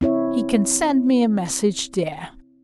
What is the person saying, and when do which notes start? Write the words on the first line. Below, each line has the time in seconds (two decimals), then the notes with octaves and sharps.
He can send me a message there.
0.01 C4 E4 C#5 E5